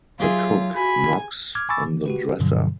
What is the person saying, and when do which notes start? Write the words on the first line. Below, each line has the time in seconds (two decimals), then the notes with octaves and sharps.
The cook knocks on the dresser.
0.20 F#3 F4 G4 G#4 E5
0.76 F#4 G#5 B5
1.55 D6 F6 G#6
1.69 G#5 B5 C#6 D6 E6 A6
1.86 E3
2.06 F#4 G4 B4
2.40 G2 B2 D3 F3 F#3